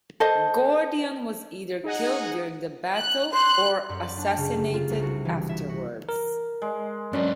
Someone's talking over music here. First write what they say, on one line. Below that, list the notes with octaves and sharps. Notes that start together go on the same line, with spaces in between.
Gordian was either killed during the battle or assassinated afterwards.
A4 C5 D#5
D#4 G#4 D#5 F#5
F#6
C6 F#6
F#2
D5
D4
C#3
G1
F4
C2
F#4
E3
E5
F#4
A#4
G#3
G#2 F#3 C#4 D4 B4